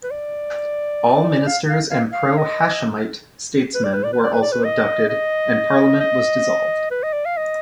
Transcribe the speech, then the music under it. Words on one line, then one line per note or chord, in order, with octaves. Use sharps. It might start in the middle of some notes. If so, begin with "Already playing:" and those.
All ministers and pro-Hashemite statesmen were also abducted, and Parliament was dissolved.
B4
D5
F5
F5
F5
F5
D#5
B4
D5
B4
D5
B4
D5
B4
D5
B4
D#5
D#5
D#5
B4
D#5
D5
F5
D#5